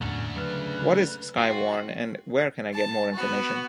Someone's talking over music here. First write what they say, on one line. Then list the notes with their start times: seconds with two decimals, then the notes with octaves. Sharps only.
What is Skywarn and where can I get more information?
0.01 E2 A2 F#3 A3 A#3 C#4 D4
0.36 C#3 F#3 C4 C#4 B4 F6
1.37 F4 F#4 G5
2.74 A5
3.15 B3 F#4